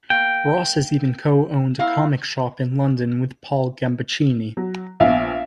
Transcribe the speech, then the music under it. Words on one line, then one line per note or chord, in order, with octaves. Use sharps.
Ross has even co-owned a comic shop in London with Paul Gambaccini.
A#3 G5
E4 A#4 F5
F#3
A#1 B3 E5 F5